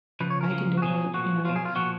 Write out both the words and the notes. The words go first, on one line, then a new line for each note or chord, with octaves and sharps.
"I can do it," you know?
C#3 F3 B4
C#5
A#4
C#3 F3
F#4
B2 F#3 G#4
A#2 F3 F#4
B2 F#3 F4
G#4
F4
A#2 F3 F#4